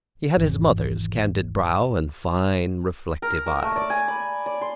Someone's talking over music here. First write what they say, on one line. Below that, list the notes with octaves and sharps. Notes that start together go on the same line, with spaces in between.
He had his mother's candid brow and fine, reflective eyes.
G#1 E2
A#4
A#4
A3
D5
G#5
B5
D5
C6